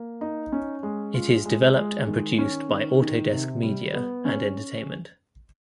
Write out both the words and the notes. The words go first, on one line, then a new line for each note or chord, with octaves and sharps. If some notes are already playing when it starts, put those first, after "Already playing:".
It is developed and produced by Autodesk Media and Entertainment.
Already playing: A#3
D#4
C#4
G#3
F4
G#3
G#3
D#3
C#4
D#3
D#3
C3
G3
B3
C#4